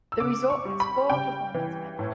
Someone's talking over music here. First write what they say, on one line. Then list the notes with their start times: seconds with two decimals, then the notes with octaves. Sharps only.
The resort has four performance venues.
0.12 E6
0.20 C#3 D6
0.50 C#6
0.65 G3
0.80 B5
1.10 C#3 G5
1.54 E3
1.99 A2